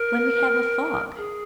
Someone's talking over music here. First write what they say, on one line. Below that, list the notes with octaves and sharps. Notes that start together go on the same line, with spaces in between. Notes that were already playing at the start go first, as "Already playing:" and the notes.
"When we have a fog."
Already playing: A#4
G#4